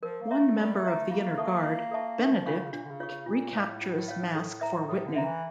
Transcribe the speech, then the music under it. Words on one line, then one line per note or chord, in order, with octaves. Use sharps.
One member of the Inner Guard, Benedict, recaptures Masque for Whitney.
F3 A#4
A#3
C#5 E5 A#5
A3
G3 A#4
A3
C#5 E5 A#5
A3
A#3 F4
A4 E5 A5 C#6
F4
A4 E5 A5 C#6
A3 D4
F3
E3 F4 C#5 F5 C#6
D3
C#3
A#2 D4
D3
C#3
F4 C#5 F5 C#6
C#3
A#2 F4
A2 C#5 F5
F4
C#5 F5
A4
E5 A#5
A2 A4
D3
E5 A#5
E3